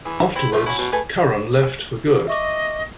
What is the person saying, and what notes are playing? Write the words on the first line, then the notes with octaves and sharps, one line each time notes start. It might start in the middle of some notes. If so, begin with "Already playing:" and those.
Afterwards, Curran left for good.
E3 G#4
C4 E4
B2 F3 A3 B4
F#3 C#4 E4 F#4
B2
A3 G#4 B4 G#5
D#5 E5 C#6 D6